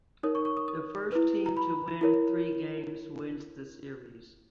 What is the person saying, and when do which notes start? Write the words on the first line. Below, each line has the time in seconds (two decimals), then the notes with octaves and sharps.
The first team to win three games wins the series.
0.23 D#4 A#4 C#5 D#6
0.35 C#6
0.45 C#6
0.57 D#6
0.68 D#6
1.12 E4 B4
1.46 A#5
1.57 B5
2.01 E4 A#4 C#5